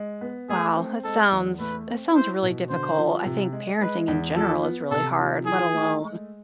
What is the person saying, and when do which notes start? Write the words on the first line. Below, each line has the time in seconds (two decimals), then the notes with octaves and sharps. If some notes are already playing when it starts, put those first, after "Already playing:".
Wow. That sounds that sounds really difficult. I think parenting in general is really hard, let alone
Already playing: G#3
0.21 B3
0.49 A3 G#4
0.77 C4
1.04 G#3 A4
1.31 E2
1.60 A3 B4
1.88 C4
2.14 E4 C5
2.42 B2
2.69 D3 C5
2.98 F3
3.25 C3
3.52 G#3
3.81 G#3 B4
4.08 E2
4.36 F3 A4
4.63 B3
4.91 C3 A4
5.19 F3
5.46 E3 G#4
5.74 A3
6.01 G#3